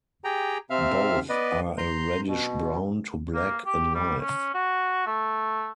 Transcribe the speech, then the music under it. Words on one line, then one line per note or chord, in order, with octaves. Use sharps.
Both are a reddish brown to black in life.
G4 G#4 G5 A#5
C3 C4 E5 F5 F6
B3 B4 D5 D#5
A#5 C6 G6
B2
A#3
G4
G3
C#4
F#4
A3